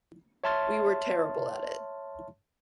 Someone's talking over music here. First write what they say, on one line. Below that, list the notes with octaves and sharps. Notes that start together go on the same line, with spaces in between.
We were terrible at it.
C#5 E5 A5 C6 F6 A6